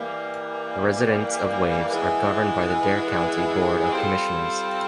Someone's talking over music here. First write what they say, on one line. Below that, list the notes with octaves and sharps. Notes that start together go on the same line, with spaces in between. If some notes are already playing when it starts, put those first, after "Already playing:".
The residents of Waves are governed by the Dare County Board of Commissioners.
Already playing: E3 G3 A#3
E3 G#3 B3 E4 G#4
G3 C4 F4 A4 C5